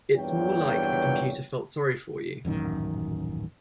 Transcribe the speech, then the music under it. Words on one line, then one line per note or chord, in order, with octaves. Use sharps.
It's more like the computer felt sorry for you.
E2 G2 A#2 F#3 C#5 G5
D#1 A1 F#2 D#3